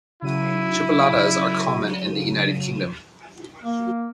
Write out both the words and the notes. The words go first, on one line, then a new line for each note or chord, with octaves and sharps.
Chipolatas are common in the United Kingdom.
C#3 F#3 E4 D#7
A#3